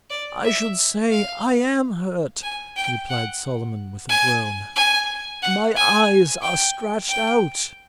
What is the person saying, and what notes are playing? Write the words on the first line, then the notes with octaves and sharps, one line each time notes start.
"I should say I am hurt!" replied Solomon, with a groan; "my eyes are scratched out!"
D5
E5
F5
G#5
G5
F#5
G#5
G#5
F#5
G#5
G5
G5